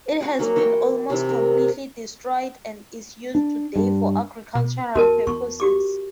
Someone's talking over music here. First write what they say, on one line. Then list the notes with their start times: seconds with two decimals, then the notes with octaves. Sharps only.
It has been almost completely destroyed and is used today for agricultural purposes.
0.21 F#4 G#4
0.39 F#3 A#3 F#4
0.56 E3 F#4 C#5 G5
1.10 C3 E3
1.29 A#4
3.35 D4
3.76 G2
4.55 B2
4.95 E2 F#4 A#4 A5
5.27 E2 C#6
5.60 F#4 G4 D6